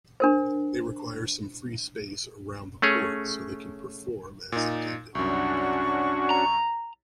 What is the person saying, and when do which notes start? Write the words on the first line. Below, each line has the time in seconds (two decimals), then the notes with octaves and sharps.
They require some free space around the port so they can perform as intended.
0.20 D4 A#4 C5
2.82 A3 C#4 G#4 C#5
4.52 A#2 D#4
5.15 C2 F#2 C#4 D4 F#4 C#6
6.31 A#5